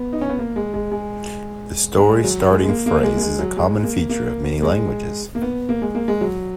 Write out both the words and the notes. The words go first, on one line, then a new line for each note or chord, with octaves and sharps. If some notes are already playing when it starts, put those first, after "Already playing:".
The "story-starting phrase" is a common feature of many languages.
Already playing: B3
D#4
C#4
B3
A#3
G#3
G#3
G#3
G#3
F#3
G#3
G#3
A#3
A#3
G#3
A#3
G#3
F#3
G#3
A#3
A#3
G#3
A#3
B3
A#3
G#3
A#3
G#3
F#3